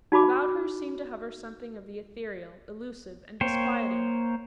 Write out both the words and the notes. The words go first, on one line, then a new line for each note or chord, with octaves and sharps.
About her seemed to hover something of the ethereal, elusive, and disquieting.
D#4 F#4 B5 D6
A#3 C5 C#5 G5